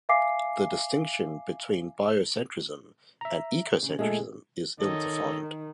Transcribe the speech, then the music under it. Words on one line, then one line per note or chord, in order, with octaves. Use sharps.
The distinction between biocentrism and ecocentrism is ill-defined.
E5 F5 G#5 D6 C7
E5 A#5
C#3
A#2 G#3 A3 A4
D#3 A4 C#5 D#5